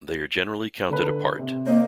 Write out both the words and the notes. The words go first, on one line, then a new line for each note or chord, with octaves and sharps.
They are generally counted apart.
D3 B4
C3
A#3 C5 D#5